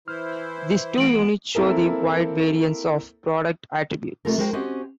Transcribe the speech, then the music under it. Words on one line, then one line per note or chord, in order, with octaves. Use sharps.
These two units show the wide variance of product attributes.
E3 E4 C5 F6
E3 A3 B3 D7 F#7
A#3 C4 E4 A4 A#4
C3 G#3 A3 F4 A4 A#4
G#3 F#4 A#4 C5 E5 G5
C4 C#4 F#4 G4 C5 D#5